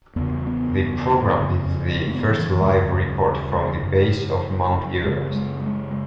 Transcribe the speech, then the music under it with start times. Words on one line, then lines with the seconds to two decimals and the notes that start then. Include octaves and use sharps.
The program did the first live report from the base of Mount Everest.
0.16 E2 C#3 B3
0.47 B3
1.38 F#2 C#3
2.07 A3
2.15 B3
2.31 E3
2.45 E3
2.60 D#2 C#3 G#3
3.83 F#2 C#3
5.05 F#2 C#3 G#3
5.35 G#3
5.66 G#3